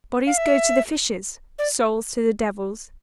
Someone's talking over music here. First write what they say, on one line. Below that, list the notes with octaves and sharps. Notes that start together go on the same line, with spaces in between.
Bodies go to the fishes, souls to the devils.
F5
E5
D5